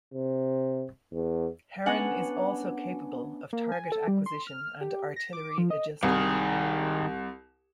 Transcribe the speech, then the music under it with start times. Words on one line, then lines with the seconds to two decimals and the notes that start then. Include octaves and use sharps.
Heron is also capable of target acquisition and artillery adjustment.
0.14 C3
1.13 E2
1.86 B3 C#4 D4 F#5 G#5
3.53 A#3
3.72 G#5
3.92 A4
4.08 G3
4.26 C6
4.47 F6
4.81 G4
5.16 A#6
5.33 D6
5.58 F3
5.70 D#5
6.03 C2 D#3 G#4